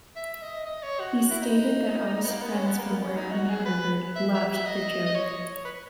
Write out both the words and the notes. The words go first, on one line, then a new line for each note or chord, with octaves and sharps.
He stated that all his friends from Brown and Harvard "loved" the joke.
E5
D#5
D#5
C#5
F#4
F#4
E4
D#4
B3
A#3
B3
C#4
B3
A#3
B3
C#4
D#4
F#4
G#4
B4
E5
E5
E5
D#5
D#5
C#5
B4